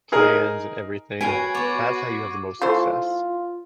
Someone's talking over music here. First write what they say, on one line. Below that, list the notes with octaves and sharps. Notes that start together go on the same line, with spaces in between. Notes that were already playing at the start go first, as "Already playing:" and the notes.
plans and everything, that's how you have the most success.
D#4 G#4 A#4
F#4 B4 C#5 G5 G#5 G#6 C7 D7
B3 C#5 C#6 D6 A6
E3 A3 F4 C5